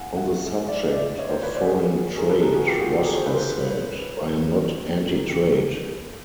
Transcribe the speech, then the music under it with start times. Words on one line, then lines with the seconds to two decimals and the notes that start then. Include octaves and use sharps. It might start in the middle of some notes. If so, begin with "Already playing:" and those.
On the subject of foreign trade, Ross has said: I am not anti-trade.
Already playing: F5 F#5 G#5
0.17 E5 F#5
0.68 D5 E5
0.87 D#5
0.92 D5 E5
1.18 C#5 D#5
1.29 A#4 C5
1.42 B4 C#5
1.54 C5 D5
1.67 F#4 G#4
2.17 G#4 A#4
2.29 A4 B4
2.42 G#4 A#4
2.54 F#4 G#4
2.67 F4 G4
2.79 F#4 G#4
2.92 G4 A4
3.05 G#4 A#4
3.17 C5
3.26 B4
3.34 A#4 C5
3.66 B4 C#5
4.16 A#4 C5
5.16 G#4 A#4
5.29 G4 A4
5.41 G4 A4
5.54 G#4 A#4